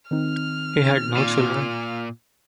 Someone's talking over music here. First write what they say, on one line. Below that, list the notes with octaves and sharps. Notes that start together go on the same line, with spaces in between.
He had no children.
D#3 C4 D#4 F6
A#2